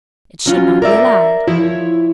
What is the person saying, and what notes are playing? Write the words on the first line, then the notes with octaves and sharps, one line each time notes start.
It should not be allowed.
F#3 C#4 F4
A#4 D5 E5
F3 E4 C#5